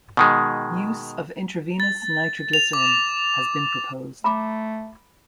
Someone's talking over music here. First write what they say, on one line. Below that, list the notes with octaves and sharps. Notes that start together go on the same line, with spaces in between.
Use of intravenous nitroglycerin has been proposed.
B2 D#3 G#3
A6
F7
D6
A3 A#5 B5 D6